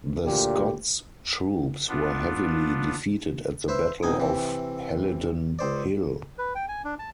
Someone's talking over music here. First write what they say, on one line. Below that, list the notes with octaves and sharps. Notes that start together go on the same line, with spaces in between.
The Scots troops were heavily defeated at the Battle of Halidon Hill.
D2 A#2 G4
B3 D4 F4
B4 C5 E5
F2 B2 D#4 G#5 D#6
C3 E3
C#2 C5 D5
B4
G5
G#5
D4
A5